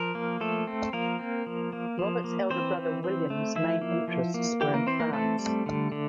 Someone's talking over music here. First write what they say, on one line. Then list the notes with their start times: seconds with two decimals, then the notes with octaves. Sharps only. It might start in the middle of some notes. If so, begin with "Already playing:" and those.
Robert's elder brother William's main interests were in France.
Already playing: F3 A#4
0.15 A#3
0.41 F3 A3 A4
0.67 C4
0.93 F3 A#3 A#4
1.19 C4
1.46 F3
1.73 A#3
1.99 F3
2.24 A#3
2.50 E3 C4 C5
2.78 E3
3.04 C4
3.30 A3
3.56 F3 E4 E5
3.81 A#3
4.08 F3
4.34 A#3
4.61 E3 G4 G5
4.74 A#3 A#4
4.87 E3 C4 C5
5.00 A#3 A#4
5.13 A3 C4 A4
5.39 G3
5.66 D3
5.92 D3